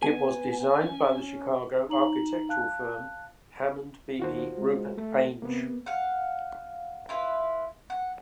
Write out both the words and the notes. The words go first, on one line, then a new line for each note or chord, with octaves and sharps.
It was designed by the Chicago architectural firm Hammond Beeby Rupert Ainge.
B3 G#5
C#4
D#4 A#5 F#7
F5 A5 F#6
D#2 F4 F#4 C5
G#3
A3
C3 A#3 B3
F5 F#5
E4 F4 B4
F#5